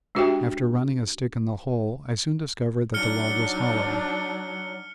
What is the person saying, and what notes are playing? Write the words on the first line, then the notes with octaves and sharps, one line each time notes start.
After running a stick in the hole I soon discovered that the log was hollow.
G#3 D4 F#4 G4 E5 G5
F#3 D4 D#4 F6 C#7 G7